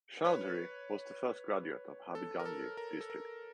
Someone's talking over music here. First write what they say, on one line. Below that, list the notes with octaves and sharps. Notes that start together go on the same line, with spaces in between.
Chowdhury was the first graduate of Habiganj District.
B4 C#5
A4
A#4
A4
A#4
A4
A#4